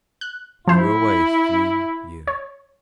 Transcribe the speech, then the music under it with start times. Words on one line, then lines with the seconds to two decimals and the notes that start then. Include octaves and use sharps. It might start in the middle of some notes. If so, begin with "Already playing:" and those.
You were away three years.
0.21 F#6
0.68 F3 E4 C5
2.27 C#5